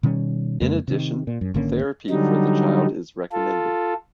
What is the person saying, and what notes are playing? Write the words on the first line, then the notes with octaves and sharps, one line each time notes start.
In addition, therapy for the child is recommended.
B2 D#3 G3 C#4
F2 C#3 G#3 A#3
C3 D#3
A#2
F#2
G#1 D3 A#3 C#4
D3 F#3 G3 D#4
F4 A4